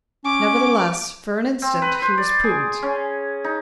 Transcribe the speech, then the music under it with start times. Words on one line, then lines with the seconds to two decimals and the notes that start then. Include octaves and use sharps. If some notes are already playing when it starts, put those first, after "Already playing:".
Nevertheless, for an instant, he was prudent.
0.24 C#4 D6
1.62 C4
1.82 B4
2.02 C5
2.18 D5
2.44 G#4
2.82 C#4
3.44 D#4